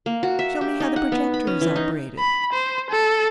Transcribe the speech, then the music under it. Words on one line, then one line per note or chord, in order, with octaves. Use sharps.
Show me how the projector is operated.
A#3
F#4
E5
G4
D#4
F#5
B3
B5
C#4
E3
D#4
B5
C5
A4